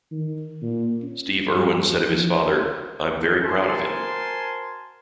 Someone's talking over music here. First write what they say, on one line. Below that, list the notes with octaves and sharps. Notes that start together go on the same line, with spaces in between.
Steve Irwin said of his father: I'm very proud of him.
D#3
A#2
C#4
G2
F3
F#4 A#4 C5 G#5 A5 C6